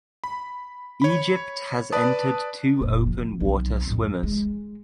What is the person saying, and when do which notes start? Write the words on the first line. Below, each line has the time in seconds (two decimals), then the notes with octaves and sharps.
Egypt has entered two open water swimmers.
0.24 B5
1.02 C#5 B5
1.92 B4 D5 A5 D#6
2.81 F1 A#2
3.07 F3
3.40 B1 C4
3.87 F2 A2
4.23 G#3